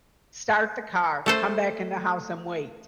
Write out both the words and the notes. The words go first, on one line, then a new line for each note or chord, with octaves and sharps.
start the car, come back in the house, and wait.
A3 A4 C5